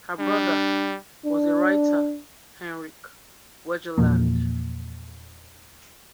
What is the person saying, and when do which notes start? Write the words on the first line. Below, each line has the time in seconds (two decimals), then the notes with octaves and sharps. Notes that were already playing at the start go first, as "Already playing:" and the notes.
Her brother, was the writer Henrik Wergeland.
0.19 G3 D4
1.25 D4
3.98 E2 A#2 F3 A#3